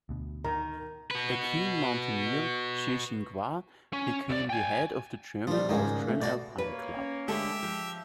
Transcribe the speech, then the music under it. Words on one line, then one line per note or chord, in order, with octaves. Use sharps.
A keen mountaineer, Seyss-Inquart became the head of the German-Austrian Alpine Club.
D2 B2
D#3 A#5
F#4 B4
C#4
C2 D5
G5 G#5
A#2 F3 G3
C#2 G#2 D#3 A#3 G#4
A3
B2 F#4 D5
A#3 B4 C#5
C#4
D3 G#3 A3 G4 A4 E5
F3